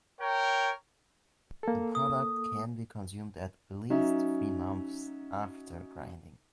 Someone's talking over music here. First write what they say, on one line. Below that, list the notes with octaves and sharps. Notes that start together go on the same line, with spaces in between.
The product can be consumed at least three months after grinding.
A#4 C#5 G5
A#3 A4
D#6
F#3 C#4 D#4 E5